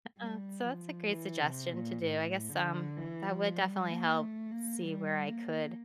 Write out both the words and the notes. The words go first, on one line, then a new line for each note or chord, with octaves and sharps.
Uh, so that's a great suggestion to do, I guess, um, that would definitely help see where I could
G3
F3
E3
C3
A#2
A2
D3
E3
F3
G3
A#3
A3
A#3
G3
A#3